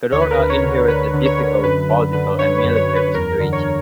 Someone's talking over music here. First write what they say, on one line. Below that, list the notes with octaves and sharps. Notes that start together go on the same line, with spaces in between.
Cadorna inherited a difficult political and military situation.
D2 C#5
B4
A#4
D2 B4
C#5
D3
D3 B4
D3
C#5
D3
F#2 B4
D3
D3 B4
D3 C#5
B4
F#2
C#5
F#2
B4
E2 A#4
D3
C#5